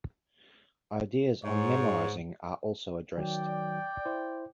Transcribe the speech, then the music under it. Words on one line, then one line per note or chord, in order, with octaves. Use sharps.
Ideas on memorizing are also addressed.
G#2 C#5
D#3 F#3 D5 G5
E4 C5